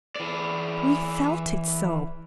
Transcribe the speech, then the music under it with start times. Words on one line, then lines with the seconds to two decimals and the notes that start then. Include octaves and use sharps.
We felt it so!
0.16 E3 D5